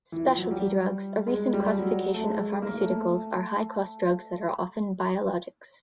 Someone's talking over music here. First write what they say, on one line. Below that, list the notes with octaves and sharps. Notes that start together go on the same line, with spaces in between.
Specialty drugs, a recent classification of pharmaceuticals, are high-cost drugs that are often biologics.
E3
F3
F#3
G3
G#3
G3
F#3
A3
G#3
A#3
A#3
A3